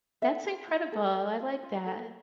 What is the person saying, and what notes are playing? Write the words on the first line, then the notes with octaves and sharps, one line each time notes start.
That's incredible, I like that.
A4 E5
F4
F4
A4
A4
F4
F4
A4